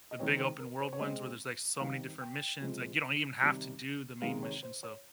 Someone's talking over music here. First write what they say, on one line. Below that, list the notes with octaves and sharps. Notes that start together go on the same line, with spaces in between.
The big open world ones where there's, like, so many different missions, like, you don't even have to do the main mission, so
D#5
D#3 G#3 C4 C#5
C5
A#4
C5
C#5
C#3 G#3 C4 D#5
D#3 G3 C4 F5
G5
C3 F3 G#3
C3 D#3 G3
C3 D#3 G#3 F5
C#5
C5
C#5